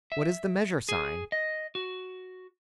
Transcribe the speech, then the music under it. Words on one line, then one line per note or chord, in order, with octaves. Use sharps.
"What is the measure-sign?"
E5
G#4
D#5
F#4